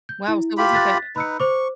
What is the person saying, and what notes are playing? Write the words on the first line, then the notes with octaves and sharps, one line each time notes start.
Wow, so it was like a
G6
E4
F4 G4 B5
F#6 A6 B6
D#4 B4 B5 E6 C#7
C5 C#6 D6